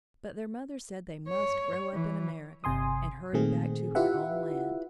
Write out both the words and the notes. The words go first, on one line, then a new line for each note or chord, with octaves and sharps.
But their mother said they must grow up in America and hurried back to her own land.
C#5
E3
G1 C3 G#5 C6 D#6
A#2 D#3 A3 C4 G#4
E4 F4 G4 B4 E5 F#5